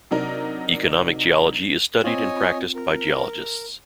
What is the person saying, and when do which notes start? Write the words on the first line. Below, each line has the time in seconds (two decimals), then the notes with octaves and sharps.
Economic geology is studied and practiced by geologists.
0.11 C3 F#3 D4 D#4 A#4
2.04 C4 F4 C#5 D#5 G#5
2.75 A#4